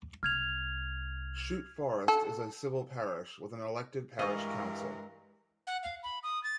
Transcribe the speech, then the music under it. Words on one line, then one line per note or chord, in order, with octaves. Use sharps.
Chute Forest is a civil parish with an elected parish council.
C2 F6 G#6 F7
A4
G2 E3 G#3 A#4 D#5 F5 C#6
F#5
F5
B5
D#6
A6